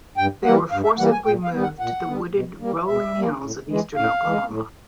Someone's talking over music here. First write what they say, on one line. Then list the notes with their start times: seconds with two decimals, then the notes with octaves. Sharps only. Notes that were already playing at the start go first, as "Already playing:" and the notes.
They were forcibly moved to the wooded, rolling hills of eastern Oklahoma.
0.17 G2 G5
0.45 E3 G3 A#3 F#5
0.71 G2 F5
0.84 E5
0.99 E3 G3 A#3 F#5
1.12 G#5
1.25 A#2 G5
1.44 F5
1.53 G3 B3
1.62 F#5
1.80 A#2 F#5
2.07 G3 B3
2.34 B2
2.61 G3 A#3
2.88 B2 E5
3.15 G3 A#3
3.42 A2
3.70 E3 G#3
3.96 A2 F5
4.24 E3 G#3
4.50 A2